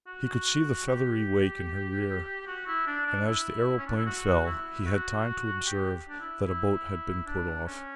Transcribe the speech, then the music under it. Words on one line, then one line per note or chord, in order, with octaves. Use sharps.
He could see the feathery wake in her rear, and as the aeroplane fell he had time to observe that a boat had been put off.
F#4
G4
F#4
E4
D4
D4
E4
C#4
D4
E4
F#4
E4
F#4
G4
D4
E4
E4
D4
C#4